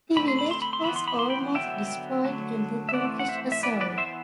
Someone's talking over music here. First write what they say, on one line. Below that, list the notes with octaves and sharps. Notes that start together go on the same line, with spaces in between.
The village was almost destroyed in the Turkish assault.
D3 A3 C4 B5
C6
B5
C6
B5
C6
E3 B3 B5
C6
B5
C6
G5 B5
D3 F#3 B3 E5 G5
D3 F#3 A3
E5
E3 A3 C4 D5 F#5
F#5
C5 E5
E5
E3 B3 B4 D5
B4 D5
C5 E5